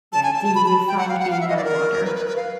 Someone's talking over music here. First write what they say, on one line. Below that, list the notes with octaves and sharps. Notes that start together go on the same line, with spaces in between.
Yeah, do you find being by water
A5
G#5
A5
A5
B5
B5
G5
F#5
F5
F#5
F5
E5
D#5
D5
A#4
B4
B4
B4
F5